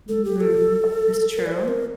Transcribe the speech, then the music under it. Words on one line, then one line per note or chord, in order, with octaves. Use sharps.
Mhm. That's true.
A4
G4
A4
A#4
D5
C5
A#4